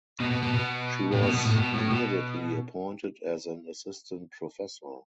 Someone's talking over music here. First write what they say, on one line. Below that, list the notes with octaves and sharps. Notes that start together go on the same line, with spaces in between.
She was immediately appointed as an Assistant Professor.
B2
B2
B2
B2
A2
B2
B2
A2
B2
A2
B2